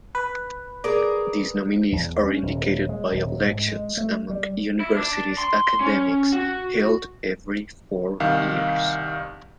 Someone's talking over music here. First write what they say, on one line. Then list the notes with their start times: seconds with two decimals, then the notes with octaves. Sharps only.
These nominees are indicated by elections among university's academics held every four years.
0.15 B4
0.84 G#4 A#4 D5
1.92 E2
2.24 C#4
2.42 D#1
2.89 G#3
3.12 D#1
3.46 G#2
3.68 G#3
3.97 A3
4.30 G3
4.80 E4
4.97 D4
5.38 C6
5.80 C#4
6.32 F#4
8.20 C2 D#3 F5